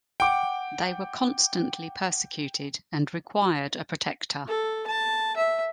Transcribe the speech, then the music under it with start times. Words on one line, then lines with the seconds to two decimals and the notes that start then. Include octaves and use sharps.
They were constantly persecuted and required a protector.
0.20 F#5 G5 D6 D7
4.48 A4
4.87 A5
5.36 E5